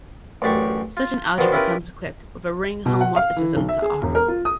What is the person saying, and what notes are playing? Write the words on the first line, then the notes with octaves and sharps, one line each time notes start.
Such an algebra comes equipped with a ring homomorphism to "R".
A1 F#2 D4 G4 C#6
F4
B2 D#3 F3 D4 G5
C#4 E4 F4 G4 A#4 B4
B2
F#5
F5
E3
B1
E5
G#4
E1
A#4
F4
D#6